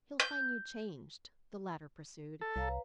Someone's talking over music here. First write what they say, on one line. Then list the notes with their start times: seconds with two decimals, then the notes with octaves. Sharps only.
"He'll find you changed," the latter pursued.
0.20 G6
2.41 A4
2.56 C2 C#5 F5 A#5
2.68 B4